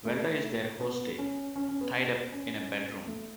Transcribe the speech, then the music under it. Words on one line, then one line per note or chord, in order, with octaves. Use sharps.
Velda is their hostage, tied up in a bedroom.
A3
B3
C#4
C#4
C#4
B3
B3
C#4
A3